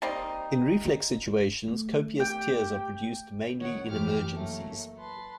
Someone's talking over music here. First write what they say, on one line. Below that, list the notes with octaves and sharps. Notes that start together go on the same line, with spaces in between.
In reflex situations, copious tears are produced mainly in emergencies.
G3 A#3 C4 D#4
A3
G4 G5
D#3 C#5 F#5
F#2 E3 A3 G4 D6 F6
F#3 A3 A#3
B4 A5 C6